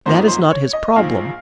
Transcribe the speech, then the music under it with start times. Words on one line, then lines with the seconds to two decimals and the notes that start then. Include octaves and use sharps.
That is not his problem.
0.06 G#1 G#2 F3 A#3 D#4 C5
0.28 C5
0.51 C#5
0.73 D#5
0.96 A#1 G#2 F3 F5